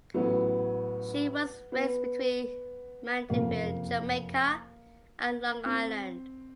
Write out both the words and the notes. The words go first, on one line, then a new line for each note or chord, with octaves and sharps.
She was raised between Mandeville, Jamaica, and Long Island.
A1 A2 F#3 B3
B3
F#1 F2 C3 A#3
C4